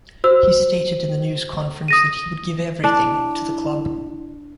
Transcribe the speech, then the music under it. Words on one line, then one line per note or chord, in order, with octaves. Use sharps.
He stated in the news conference that he would "give everything" to the club.
F#4 C5 E6
D#6 A#6 D#7
D4 E4